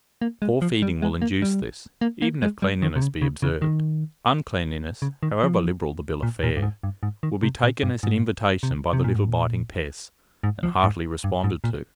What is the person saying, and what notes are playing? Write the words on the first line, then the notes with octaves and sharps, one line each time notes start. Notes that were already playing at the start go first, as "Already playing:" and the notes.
Poor feeding will induce this, even if cleanliness be observed; uncleanliness, however liberal the bill of fare, will be taken as an invitation by the little biting pests, and heartily responded to.
A#3
G#3
F3
G3
G#3
A#3
G3
A#3
A#3
G#3
G3
D#3
C3
C#3
C#3
C#3
D#3
C#3
D#3
F3
A#2
A#2
G2
G#2
G2
G#2
D#3
C3
A#2
G2
G#2
C3
C3
A#2
G#2
A#2
G#2
F3
G#2
G2
G#2
A#2